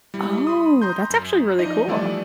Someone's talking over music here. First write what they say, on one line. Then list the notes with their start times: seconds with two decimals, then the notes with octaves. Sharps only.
Oh, that's actually really cool.
0.14 G3 E4
0.47 B5 C6 D#6
0.82 A#5 C6 G6
1.10 F#2
1.59 F3 D#4 D5 D#5
1.87 E3 F3 G3 A3 A4 D5